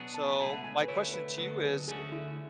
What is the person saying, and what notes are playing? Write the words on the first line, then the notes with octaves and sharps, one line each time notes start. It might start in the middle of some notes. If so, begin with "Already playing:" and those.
So my question to you is
Already playing: B2 F#3 B3 D4 G#4
A5
B5
C#2 B2 A3 E4 G#4 A5
F#5
G#5
B4
D3 A3 E4 C#5
B4
D2 D3 F#3 B3 B4
G#4
D2 D3 A3 C#4 F#4 G#4
E4